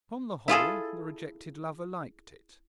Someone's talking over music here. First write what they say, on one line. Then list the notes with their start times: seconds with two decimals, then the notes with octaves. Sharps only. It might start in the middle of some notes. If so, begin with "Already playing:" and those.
Upon the whole the rejected lover liked it.
0.48 E4 F4 G#4 A4